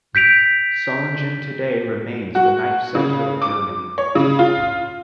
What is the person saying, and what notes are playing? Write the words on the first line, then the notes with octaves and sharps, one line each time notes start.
Solingen today remains the knife-centre of Germany.
G6 B6 D7 F7
F#4
C#3
D6
C#5
C#3
F4